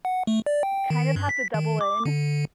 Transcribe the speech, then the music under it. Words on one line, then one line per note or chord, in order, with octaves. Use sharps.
kind of have to double in
F#5
A3
D5
G5
D#3
G2
B6
D#3
D6
D3